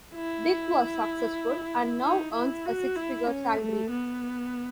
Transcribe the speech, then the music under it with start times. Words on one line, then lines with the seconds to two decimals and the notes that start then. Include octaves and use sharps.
Dick was successful and now earns a six-figure salary.
0.15 E4
2.03 D#4
2.33 E4
2.66 F#4
2.96 E4
3.27 C#4
3.59 A3
3.90 B3